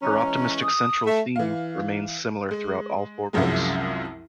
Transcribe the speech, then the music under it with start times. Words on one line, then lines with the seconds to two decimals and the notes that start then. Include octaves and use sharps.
Her optimistic central theme remains similar throughout all four books.
0.02 E3 G#3 C#4 A#5
0.63 D#6
1.06 A3
1.36 E3 F5
2.51 G#3
3.33 C2 F#2 C3 F3 F#3 G#3